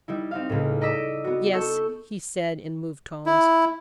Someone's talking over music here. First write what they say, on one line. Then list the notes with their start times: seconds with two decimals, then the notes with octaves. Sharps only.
"Yes," he said, in moved tones.
0.08 G3 D#4 E4
0.31 C4 D#4 F5
0.49 C#2 A2
0.81 D5 D#5 A#5 D6 E6 B6
1.24 B3 F#4
1.52 A4 C#6 E6 G6
3.26 E4